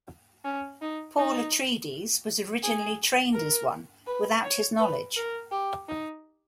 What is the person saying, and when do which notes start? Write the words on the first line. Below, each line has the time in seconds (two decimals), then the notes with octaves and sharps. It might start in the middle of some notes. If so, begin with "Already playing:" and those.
Paul Atreides was originally trained as one without his knowledge.
0.45 C#4
0.82 D#4
1.17 D#4
2.63 G#4
3.34 A#4
4.07 B4
4.44 C#5
4.79 B4
5.16 A#4
5.51 G4
5.88 D#4